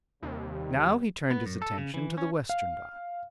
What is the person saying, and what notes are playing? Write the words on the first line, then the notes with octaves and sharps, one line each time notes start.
Now he turned his attention to the western dial.
D#2 C3 G3
B3
F#2
A4
C#3
E3
C#4
F5